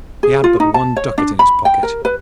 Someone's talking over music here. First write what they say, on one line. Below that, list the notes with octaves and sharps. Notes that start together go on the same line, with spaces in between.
He had but one ducat in his pocket.
G#4
F4
D#4
A5
C#5
D4
B5
G5
A#4
B4